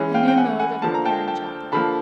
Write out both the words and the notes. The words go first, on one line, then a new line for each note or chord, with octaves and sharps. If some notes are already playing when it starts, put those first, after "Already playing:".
A New Mode of Preparing Chocolate.
Already playing: E3 G#3 C#4
F5 G5
G5
F#5 G#5
F#5 G#5
D3 F3 A#3 A5
A#5
G5 A5
G5 A5
D3 F3 A#3 A5 B5